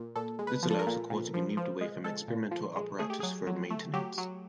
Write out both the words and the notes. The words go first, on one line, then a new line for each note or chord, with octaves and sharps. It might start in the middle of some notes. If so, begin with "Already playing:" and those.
This allows the core to be moved away from experimental apparatus for maintenance.
Already playing: A#2
A#2 A4
G#3
B4
F3
A4
A#4
A#2
A#2
F3
F3
G#3
G#3 A4
A#2
F3
G#3
A3 G#4
G4
F#3 G#4
F#3
A3
F#3 G4
F#3